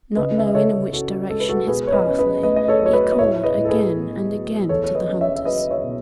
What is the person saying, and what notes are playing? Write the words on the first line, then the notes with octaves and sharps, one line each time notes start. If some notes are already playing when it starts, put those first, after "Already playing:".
Not knowing in which direction his path lay, he called again and again to the hunters.
C#3 B4 D#5
E5
D#5
C#3 A4 C#5
C#4 F#4 A4
G#3 A4
B4
F#4 A4
B2 G#4 B4
C#5
B4 D#5
C#4
B4 D#5
A3 B4 D#5
D#5
A4 C#5
F#3 C#5
B4 D#5
D#5
A2 C#5 E5
B4 D#5
A2
A4
G#4 B4
B3
F#3
E2 A4 C#5
C#5
B4 D#5
C#4
C#5 E5
E5
F#3 B4 D#5
C#5 E5
B2